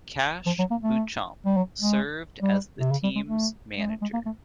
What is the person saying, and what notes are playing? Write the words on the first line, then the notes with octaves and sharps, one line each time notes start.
Kash Beauchamp served as the team's manager.
F3
F#3
A#3
A3
G3
F#3
G#3
G3
C3
C#3
G3
G#3
A3
G#3
A3
G#3
A#3
A3